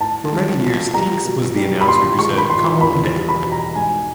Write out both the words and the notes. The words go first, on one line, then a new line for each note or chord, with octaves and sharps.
For many years Deeks was the announcer who said Come on Down!
A2 A5
G#3
F3
G3 A#5
B2
G3
B5
A#2 C6
G#3 C#6
B5
F3 C6
E2 B5
G3
B5
B2
A#5
G#2 G#5